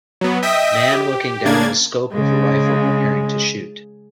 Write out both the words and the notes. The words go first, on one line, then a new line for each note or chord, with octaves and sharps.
Man looking down the scope of a rifle preparing to shoot.
F#3 B3
D#5 E5 G5 D#6 B6
G4
C#3 A#3 D4 G#6 A6
C#3 G#3